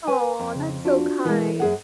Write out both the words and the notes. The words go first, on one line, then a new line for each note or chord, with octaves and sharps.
Aw, that's so kind.
B4 G#5
F2
C#3
D4 F4 F#4
B2 E3 G#3 E4 A#4
F#2 G#4 F#5